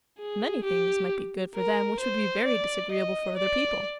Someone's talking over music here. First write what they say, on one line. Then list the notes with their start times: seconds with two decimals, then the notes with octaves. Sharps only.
Many things might be good for them which would be very disagreeable for other people.'
0.19 G#4
0.64 G4
1.56 A#4
2.00 C5
2.46 D5
2.92 D#5
3.38 D5